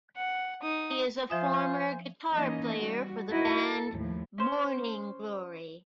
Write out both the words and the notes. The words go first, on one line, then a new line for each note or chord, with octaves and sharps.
He is a former guitar player for the band Morning Glory.
F#5
D#4 D#6
F3 F4 C5 E5 G#5 D#6
E3 A#3 C#4 D#4 D#5
G3 F#4
D#4 E4 F#4 A#4 D#5
A4
D#2 A2 F3
C#4 C5